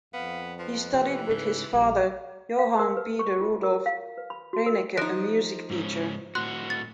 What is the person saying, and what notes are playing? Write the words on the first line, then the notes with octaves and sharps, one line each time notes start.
He studied with his father, Johann Peter Rudolph Reinecke, a music teacher.
F2 B3 F5
F3 B4
C3 E3
G#2 C#3
A#1 G3
F5
A#4
B4
C#6
F4
A#4
F5
B4
B5
F#4
A#4
F3 D#4 F#6 A#6 D7
G#2 C#4
A2 F#4 C6 F#6
A6